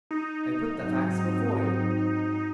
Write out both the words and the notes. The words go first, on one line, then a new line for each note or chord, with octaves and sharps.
I put the facts before you.
D#4
G#2 F#3 C4